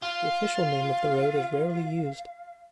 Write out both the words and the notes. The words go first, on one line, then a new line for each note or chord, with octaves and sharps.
The official name of the road is rarely used.
F4 F5